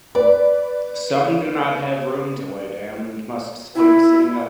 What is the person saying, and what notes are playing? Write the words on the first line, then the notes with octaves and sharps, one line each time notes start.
Some do not have room to lay down and must sleep sitting up.
B4 D5
E4